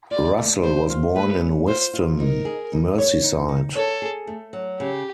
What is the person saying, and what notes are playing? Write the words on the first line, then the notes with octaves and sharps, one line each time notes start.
Russell was born in Whiston, Merseyside.
F4 D5
A3
A3 C5
F4
A3 B4
C#4
F4 C5
F4
D#4 A#4
G#4
D#4
C#5
D#4
D#4
A4 C#5
G#4
A3
F#3
C#3 G4